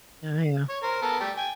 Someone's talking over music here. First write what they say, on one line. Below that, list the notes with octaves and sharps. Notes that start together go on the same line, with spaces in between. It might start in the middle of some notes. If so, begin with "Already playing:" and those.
Oh, yeah.
C#5
A#4 C5
B3 A4 A#4
G3 A3 G5
G5 G#5